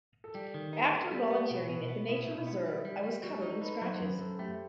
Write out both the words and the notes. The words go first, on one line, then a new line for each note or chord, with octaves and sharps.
After volunteering at the nature reserve I was covered in scratches.
A4
G3 G4
D#3
D#4 B4
B3 A4
G3
G4
B3
B2 F#4
B2
B3
B2 E4
B2 D#4
B3 E4
G3
G3
G3
G3 F#4
D#4 A4
D#4 B4
F#3 C5
F#2 B4
F#2 A4
A3 G4